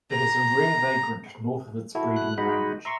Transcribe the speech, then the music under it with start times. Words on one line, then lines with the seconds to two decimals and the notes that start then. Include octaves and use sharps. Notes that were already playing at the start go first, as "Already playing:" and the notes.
It is a rare vagrant north of its breeding range.
0.11 A#5
1.95 E4 F#4 A4
2.16 F#6
2.38 G#3 D#4 F#4 B5
2.85 E5 A#5 C6 C#6